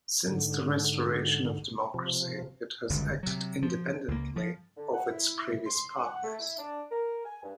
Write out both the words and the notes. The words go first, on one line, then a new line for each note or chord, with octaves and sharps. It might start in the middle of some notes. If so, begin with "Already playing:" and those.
Since the restoration of democracy it has acted independently of its previous partners.
G#2 D3
C3 F3
G1 C#2 F#2
C3 F#3
F3
C#2 A#3
F3
D3
F#5
E4
C6
F#5
A3
E4
D4
A#4
G#5
G2